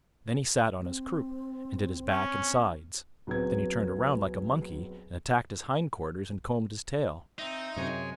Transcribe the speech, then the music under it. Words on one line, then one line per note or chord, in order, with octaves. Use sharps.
Then he sat on his croup, and did his back and sides; then he turned around like a monkey, and attacked his hind-quarters, and combed his tail.
C4
C#4
C#2 F#3 B3 C4 G#6
C4 D#4 E5
F#2 C3 G#3 C#5 G#5